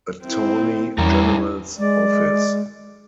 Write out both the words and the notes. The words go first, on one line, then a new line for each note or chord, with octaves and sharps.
Attorney General's office.
C4 E4
E2 G3 C#4 E4 A#4
G#3 D5